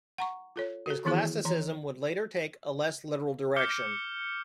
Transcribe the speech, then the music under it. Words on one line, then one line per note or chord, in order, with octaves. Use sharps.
His classicism would later take a less literal direction.
F#5 A#5 C#6
F4 A4 C#5
F#4 A4
D#3 E3 B3 E4 G#4
E3 C#5 A#5
D6 F6 G6 C#7 G7